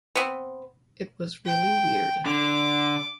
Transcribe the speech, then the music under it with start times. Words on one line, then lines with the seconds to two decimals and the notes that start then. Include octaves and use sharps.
It was really weird.
0.15 B3 C4
1.46 G5
2.26 D3 D6